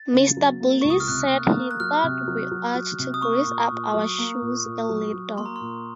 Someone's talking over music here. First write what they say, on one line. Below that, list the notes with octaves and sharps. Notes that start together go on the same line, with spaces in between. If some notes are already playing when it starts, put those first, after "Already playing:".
Mr. Bliss said he thought we ought to grease up our shoes a little.
Already playing: A6
C#3
F#3
A#3
C#2 C#6
D#6
F6
C3 F#6
A#3
A#3
F#6
F#3 F6
C3
F#3
F#3
F#3
C3
D#6
A#3 C#6
A#2
A#2
F#3
A#3
A#2
A#2
F#3
F#3
A#3 C6
A#5
A#2 C6